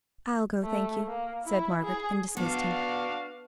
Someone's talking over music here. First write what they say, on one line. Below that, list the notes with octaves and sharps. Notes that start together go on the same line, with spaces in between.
"I'll go, thank you," said Margaret, and dismissed him.
A3
A#3
E4
G#4
B3 D4 F#4 D5 F5